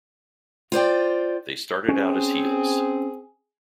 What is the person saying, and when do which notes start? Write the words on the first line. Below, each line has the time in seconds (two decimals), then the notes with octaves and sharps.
They started out as heels.
0.72 F4 C5 D5 G5
1.88 C4 C#4 G#4